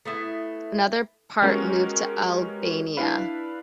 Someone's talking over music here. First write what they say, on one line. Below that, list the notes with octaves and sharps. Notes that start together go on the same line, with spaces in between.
Another part moved to Albania.
A3 B3 E4
G#3 B3 C#4 F#4 G4 A#4
D4 E4 B4 F5 B5